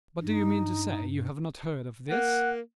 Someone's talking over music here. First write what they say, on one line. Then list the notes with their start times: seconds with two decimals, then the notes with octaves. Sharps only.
But do you mean to say you have not heard of this?
0.23 G2 D#4
2.11 A#3 F#5